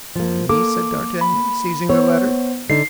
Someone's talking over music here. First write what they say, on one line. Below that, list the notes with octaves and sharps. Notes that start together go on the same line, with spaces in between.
"For me?" said d'Artagnan, seizing the letter.
F3 A#3
A#3 A4 D6
B5
B3 C5 C#5
D3 D#4 C7